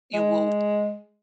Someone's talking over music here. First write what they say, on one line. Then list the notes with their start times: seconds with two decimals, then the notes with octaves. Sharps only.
you will,
0.14 G#3